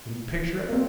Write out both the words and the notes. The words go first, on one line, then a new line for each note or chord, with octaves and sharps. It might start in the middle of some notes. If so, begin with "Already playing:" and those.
Can you picture it?
A#3
C4